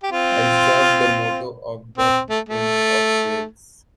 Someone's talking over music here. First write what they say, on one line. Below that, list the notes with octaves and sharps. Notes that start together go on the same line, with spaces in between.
I serve the motto of the Prince of Wales.
G4
C4 F4
C4
A3
A3